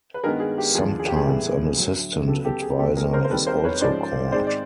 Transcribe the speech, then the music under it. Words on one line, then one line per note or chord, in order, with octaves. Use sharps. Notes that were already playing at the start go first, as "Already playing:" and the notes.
Sometimes an assistant adviser is also called.
B4
G2 D#3 G#3 B3 G#4 A#4
G#4
G4
D#2 D3 F3 G#4
G#4
G4
G#4
A2 E3 G3 B3
D2 D3 F#3
D2 C#3 F#3 B3 G4 A4
G4 A4
G#4
B2 G#3 C4 G4 A4
G#4 A#4
A#4 C5
C5
D#2 D#3 G3 C4 A4 B4
A#4 C5
B4 C#5
G#2 F3 G#3 C#4 C5 D5
G#2 D#3 G#3 C4 C5 D5
D5